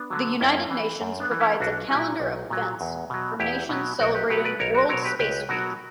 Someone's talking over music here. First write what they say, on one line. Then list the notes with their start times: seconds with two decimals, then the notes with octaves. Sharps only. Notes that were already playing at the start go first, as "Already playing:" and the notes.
The United Nations provides a Calendar of Events from nations celebrating World Space Week.
Already playing: B3 D4
0.10 D3 F#3
0.40 F#2 C#4 E4
0.70 E3
1.01 F#2
1.20 B3 D4
1.31 E3
1.40 C#4 E4
1.60 B1 D4 F#4
1.90 A#2 F#3 E4 G4
2.20 B1
2.50 A#2 F#3
2.81 E2
3.10 B2 F#3
3.39 E2 E4 G4
3.69 B2 F#3
4.00 B1 F#4 A#4
4.15 G4 B4
4.30 B2 F#3 G4 B4
4.45 B4 D5
4.59 B1 A#4 C#5
4.75 F#4 A#4
4.89 B2 F#3 A#4 C#5
5.05 G4 B4
5.19 C#2 G4 B4
5.49 B2 F#3 F#4 A#4